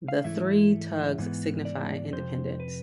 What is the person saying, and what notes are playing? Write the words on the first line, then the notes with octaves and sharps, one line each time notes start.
The three tugs signify independence.
F5
G#2 E3 A3 E4 E5
G#2 E3 B3
D5
F2 C3 C5
B4